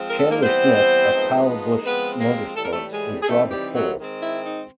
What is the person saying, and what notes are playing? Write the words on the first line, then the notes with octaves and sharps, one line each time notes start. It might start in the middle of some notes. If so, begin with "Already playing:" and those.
Chandler Smith of Kyle Busch Motorsports would draw the pole.
Already playing: F3 G#3 C4
A#4
A4
A#3 A#4
E3 G3 B3 C4 C5
F3 G#3 B3 D#4
F3 G#3 B3 C4 B4
A#3 A#4
A2 E3 G3 A4
A#4
A3 A4
G#3 G#4
G#4
C3 E3 G3 A3 C4 D#4 A4
G3 G4
F#3 F#4
D#3 G#3 C4
E4
D#4